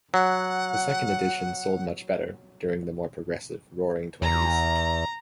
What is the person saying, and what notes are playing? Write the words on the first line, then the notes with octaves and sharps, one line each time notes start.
The second edition sold much better, during the more progressive Roaring Twenties.
F#3 F#5
E2 A#5